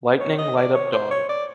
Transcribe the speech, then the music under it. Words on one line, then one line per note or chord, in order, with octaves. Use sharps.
Lightning light up dawn.
C#5
D#5
D5
C#5
C5
C#5
D5